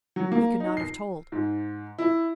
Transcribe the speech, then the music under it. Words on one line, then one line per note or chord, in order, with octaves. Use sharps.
He could not have told.
F#3
A#3
D#4
C7
G#2
E4